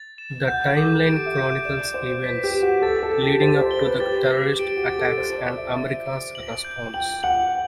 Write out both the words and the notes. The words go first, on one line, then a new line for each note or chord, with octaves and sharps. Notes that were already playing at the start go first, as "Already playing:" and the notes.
The timeline chronicles events leading up to the terrorist attacks and America's response.
Already playing: A6
E7
F#5 G6
A4
D6
A4
G4 D7
E5
G6
D5 E7
C5 E7
B4 B6
G4
E7
F#4
A4 A6
A4
A6
G4
C5 A6
C5
G7
B4
G4 A6
D6
G4 D7
F#4
G4 A6
A4
C5 A6
D5
D7
E5
E5 A6
D7
F#7
G6
G5 F#7
F#5 F#7